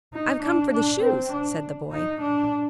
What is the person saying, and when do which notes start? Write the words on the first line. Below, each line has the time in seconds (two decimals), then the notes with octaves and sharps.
"I've come for the shoes," said the boy.
0.14 D#4
0.43 D4
0.73 D4
1.03 C4
1.33 D4
1.92 D#4
2.22 D4